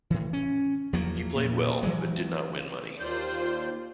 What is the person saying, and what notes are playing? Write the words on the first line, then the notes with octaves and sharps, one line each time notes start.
He played well, but did not win money.
A2 E3
C#4
E2 F3 F#3 A#3
A#2
E3 F#3 G#3
D#2 F4 C5 D5 G6